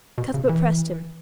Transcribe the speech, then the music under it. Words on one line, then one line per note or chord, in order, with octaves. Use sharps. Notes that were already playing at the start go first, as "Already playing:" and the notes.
Cuthbert pressed him.
B2
C#3
E3